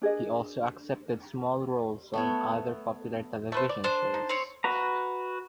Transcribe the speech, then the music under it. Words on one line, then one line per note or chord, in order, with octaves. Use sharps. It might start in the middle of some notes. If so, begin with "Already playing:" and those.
He also accepted small roles on other popular television shows.
D4 G#4 A#4 D#5
A3 B3 C#5
A3 B4 C5
D5
D4 C5
D#4
C4 C#5
F#4 B4 A#5